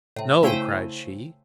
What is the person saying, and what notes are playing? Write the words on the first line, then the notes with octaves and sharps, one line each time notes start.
"No!" cried she.
A2 C3
C#3 A3 E4 C5 G5 D#7